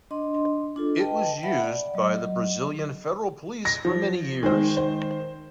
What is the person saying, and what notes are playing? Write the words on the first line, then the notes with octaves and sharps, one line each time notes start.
It was used by the Brazilian Federal Police for many years.
D4 D#5 C6
D4 F4 A4
B4 D#5 G5 A5
E5 F#5 B5
D5
F#3 D#5
A#6
F3
D#3 G#3 C5
C5